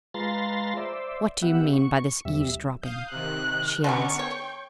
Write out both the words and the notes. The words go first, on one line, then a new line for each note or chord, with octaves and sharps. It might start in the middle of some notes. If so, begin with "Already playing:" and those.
'What do you mean by this eavesdropping?' she asked.
G#3 F4 B4 A#5 C6 A6
C5 D5 E5
B3 G4 E5 F#5
C#6
E2 C3 G3 E5
F5 D#6 G6
C3 D#3 F#6
B2 D3 F#3 B3 C#4 C#6 D6
C#5 G5